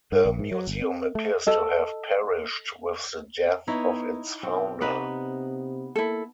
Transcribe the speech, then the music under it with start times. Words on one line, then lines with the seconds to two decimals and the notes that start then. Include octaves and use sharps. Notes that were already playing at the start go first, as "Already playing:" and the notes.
The museum appears to have perished with the death of its founder.
0.12 G2
0.25 A#1
0.39 G#2
0.51 F#3
0.67 G1
0.82 C4
1.15 A3
1.47 A4 D#5
3.67 B3 D#4 E4 C#5
4.43 B1 C4
4.81 C3 B3 D#4 B4
5.96 A#3 E4 A4